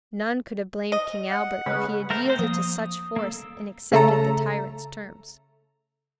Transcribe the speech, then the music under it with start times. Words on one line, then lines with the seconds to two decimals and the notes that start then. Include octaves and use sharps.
None could have blamed King Albert if he had yielded to such force and accepted the tyrant's terms.
0.92 D#5
1.30 F#5
1.66 C#3 G#3 B4
2.10 A3 A#4 C5
2.26 C4 C5
2.39 F3 A#3 D#6
3.16 A#3 A4
3.92 C#3 A3 A4 A#5